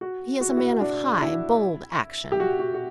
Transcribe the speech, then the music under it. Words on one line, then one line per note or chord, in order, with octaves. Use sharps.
He is a man of high, bold action.
F#4
F#4
E4
F#4
D4
E4
G4
F#4
F#4
F#4